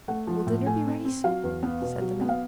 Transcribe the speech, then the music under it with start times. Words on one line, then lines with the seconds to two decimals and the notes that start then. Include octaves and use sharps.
"Will dinner be ready soon?" said the man.
0.08 A3 F#5
0.27 F3
0.47 A2
0.66 A3 G#5
0.85 C4
1.05 C4
1.24 F#3 F5
1.43 E2
1.63 B3
1.82 B2
2.02 F#3
2.21 B3
2.29 F5